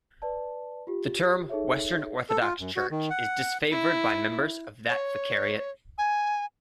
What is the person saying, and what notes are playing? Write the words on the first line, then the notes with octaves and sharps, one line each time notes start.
The term "Western Orthodox Church" is disfavored by members of that Vicariate.
B4 D5 A5
F4 G4
D#4 G#4 A4 C#5 E5
A4
F4
F#2
F#4
D#3
F#5
E4
C#5
G#5